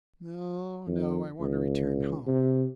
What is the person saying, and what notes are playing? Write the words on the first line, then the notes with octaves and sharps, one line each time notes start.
"No, no. I want to return home."
F2
C#2
C3